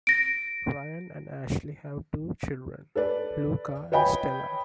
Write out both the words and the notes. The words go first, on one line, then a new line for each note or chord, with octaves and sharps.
Ryan and Ashley have two children, Luca and Stella.
A#6 D7
A4 B4 D5
B4 C#5 D#5 G5 G#5 B5